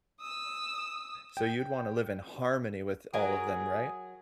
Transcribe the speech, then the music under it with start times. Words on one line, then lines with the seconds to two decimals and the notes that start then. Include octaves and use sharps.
So, you'd wanna live in harmony with all of them, right?
0.21 D#6 E6
1.37 G5
3.13 F#3 G#4 A#4 G#5